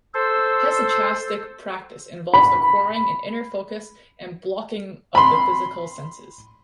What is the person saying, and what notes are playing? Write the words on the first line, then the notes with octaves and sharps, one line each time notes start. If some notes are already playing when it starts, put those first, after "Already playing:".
Hesychastic practice involves acquiring an inner focus and blocking of the physical senses.
A4 C5 E6
B5
B5 C6